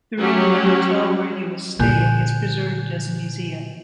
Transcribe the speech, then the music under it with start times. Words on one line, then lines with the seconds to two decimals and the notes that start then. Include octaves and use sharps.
The room in the hotel where he was staying is preserved as a museum.
0.17 F#3 C#4 G4
1.79 A#2 D3 E4 G#5 F#6 G6